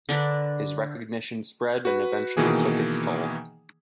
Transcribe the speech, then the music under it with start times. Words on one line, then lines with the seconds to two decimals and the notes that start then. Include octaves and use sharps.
His recognition spread and eventually took its toll.
0.09 D3 D4 A#4 B4
1.85 F#4 B4
2.37 B2 D#3 E3 A#3 G#4